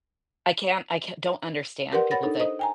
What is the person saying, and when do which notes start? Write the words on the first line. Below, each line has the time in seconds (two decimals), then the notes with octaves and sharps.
I can't, I can don't understand people that
1.93 G4 A#4 B4 D5 F#5 C6
2.11 C#5 F#5 B5 A6 A#6
2.23 D4 D#4 A4
2.39 C5 D#5 D#6
2.59 G5 G#5 A#5